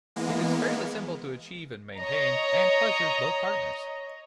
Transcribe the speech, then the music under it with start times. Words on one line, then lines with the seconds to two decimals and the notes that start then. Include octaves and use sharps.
It is fairly simple to achieve and maintain and pleasures both partners.
0.16 E3 G#3 A#3 B3
1.97 C#5 D#5 A#5